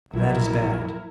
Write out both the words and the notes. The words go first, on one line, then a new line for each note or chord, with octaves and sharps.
That is bad!
A#1 F#3 E4 A#4